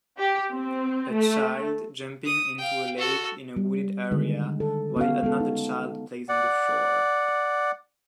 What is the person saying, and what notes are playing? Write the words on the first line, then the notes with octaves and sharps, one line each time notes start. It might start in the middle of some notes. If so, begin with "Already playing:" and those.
A child jumping into a lake in a wooded area while another child plays on the shore.
G4
C4
A3
D#6
F5 G5
F#4 A4
G3
D3 D#3 G#3
A4
B3 C#4 F#4 F5
G#3 B3 A4
D#4
D5 F#5